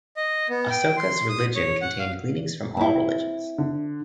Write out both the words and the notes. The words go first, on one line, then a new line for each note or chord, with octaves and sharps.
Ashoka's religion contained gleanings from all religions.
D#5
B3
G5
C6
D#6
C#5
F#5
F5
C4 E4
D3